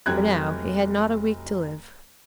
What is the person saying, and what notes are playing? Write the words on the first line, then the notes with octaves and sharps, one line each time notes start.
For now he had not a week to live.
F1 F#3 G4 F#6 G#6